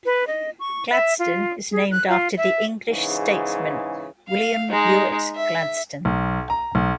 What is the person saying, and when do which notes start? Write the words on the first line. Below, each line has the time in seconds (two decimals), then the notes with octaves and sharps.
Gladstone is named after the English statesman William Ewart Gladstone.
0.06 B4
0.27 D#5
0.60 C#6
0.91 E5
1.19 F4
1.71 G#4
1.91 F#6
2.09 F4
2.37 E5
2.89 G#2 C#3 E3
4.28 F5
4.71 G#3 D#4
5.36 E5
6.05 B1
6.50 A#5
6.75 B1